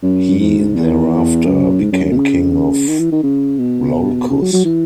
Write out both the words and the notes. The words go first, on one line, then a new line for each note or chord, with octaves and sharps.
He thereafter became king of Iolcus.
F#2
G#2
E2
F#2
G#2
F#2
F#2
B2
C#3
C#3
D#3
E3
D#3
C#3
B2
C#3
F#3
F#3
E3